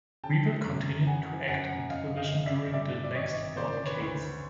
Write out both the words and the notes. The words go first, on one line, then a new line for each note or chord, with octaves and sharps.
Weaver continued to act in television during the next four decades.
C#3 G5 A5
F#2
C#3 F#5 G#5
F#2 F#5 G#5
F#2 D#5 F5
D#5 F5
G1
D5 E5
G2 D5 E5
D5
G#1 C#5 D#5
C#3 C5 D5
B4 C#5
D2